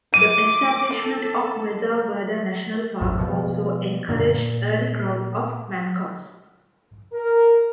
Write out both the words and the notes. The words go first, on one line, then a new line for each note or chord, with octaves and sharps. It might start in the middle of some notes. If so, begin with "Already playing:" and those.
The establishment of Mesa Verde National Park also encouraged early growth of Mancos.
D6 D#7
A4
A1 F2 A2
B2 F3
F#2 A#2 D3
A#2
A#4